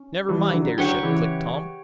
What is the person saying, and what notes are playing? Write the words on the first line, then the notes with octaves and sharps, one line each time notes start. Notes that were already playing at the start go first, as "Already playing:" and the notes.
"NEVER MIND AIRSHIP," clicked Tom.
Already playing: C#4
E3 G3
E3
D3 F#3
D3 F#3 G4 C#5 F#5
C#3 E3